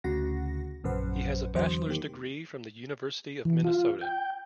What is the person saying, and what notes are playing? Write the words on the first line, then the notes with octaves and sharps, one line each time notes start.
He has a bachelor's degree from the University of Minnesota.
D2 C#3 F#4 F#5 A#6
A#1 F#2 C#3 B4 C5 F#5
E2 D3 F#3 C5
D#3 A#3 G4
E3
F4
G5